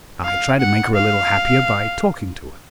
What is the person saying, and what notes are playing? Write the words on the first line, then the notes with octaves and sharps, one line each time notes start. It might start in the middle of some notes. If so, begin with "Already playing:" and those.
I tried to make her a little happier by talking to her.
F5
F#5
F5